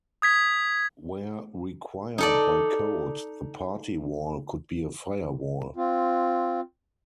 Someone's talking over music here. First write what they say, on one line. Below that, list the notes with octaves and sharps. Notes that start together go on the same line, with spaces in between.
Where required by code, the party wall could be a firewall.
D#6 G#6 B6
D#4 A4 D5
C4 F4